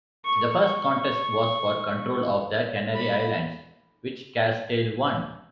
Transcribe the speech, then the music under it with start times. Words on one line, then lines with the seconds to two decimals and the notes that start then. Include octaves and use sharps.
The first contest was for control of the Canary Islands, which Castile won.
0.25 C#6
0.64 C#6
2.95 B5